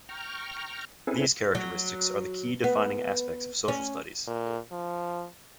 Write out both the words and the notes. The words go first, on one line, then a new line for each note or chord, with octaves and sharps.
These characteristics are the key defining aspects of social studies.
G5 A#5 C#6 F6
C4 C#4 E4 G#4 A4 B4
F#3
B3
C#4
A#2
F3